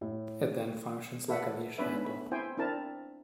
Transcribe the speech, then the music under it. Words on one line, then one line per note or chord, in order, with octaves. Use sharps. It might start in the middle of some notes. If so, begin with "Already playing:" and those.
It then functions like a leash handle.
A2
A4 B4 E5 F#5
B3 C#4 D4 B4 E5
A3 B5
C4 E4 C5 G5 G#5
C4 D4 E4 A#4 A5